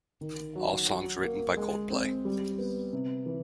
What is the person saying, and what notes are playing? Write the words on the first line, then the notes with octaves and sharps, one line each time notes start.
All songs written by Coldplay.
D#3
F#3
F#3
A#3
G#3
C4
G3
B3
C3
E3